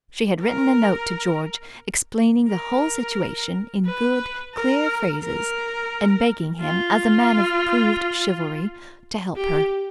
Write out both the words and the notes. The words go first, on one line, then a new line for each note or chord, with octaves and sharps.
She had written a note to George, explaining the whole situation in good, clear phrases and begging him as a man of proved chivalry to help her.
A#4
A#4
B4
A#4
A#4
F4
G4